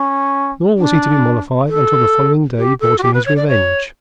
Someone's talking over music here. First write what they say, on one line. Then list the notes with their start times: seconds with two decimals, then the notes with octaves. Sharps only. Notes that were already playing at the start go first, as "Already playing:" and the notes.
Nor was he to be mollified until the following day brought him his revenge.
Already playing: C#4
0.78 D4
1.68 A4
2.58 G4
2.80 A4
2.98 F#4
3.03 G4
3.14 B4
3.26 C#5
3.36 D5
3.48 C#5